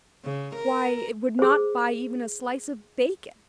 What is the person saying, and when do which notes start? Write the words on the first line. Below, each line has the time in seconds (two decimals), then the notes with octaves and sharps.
Why, it would not buy even a slice of bacon.
0.24 C#3
0.55 A#4
1.39 G#4 C5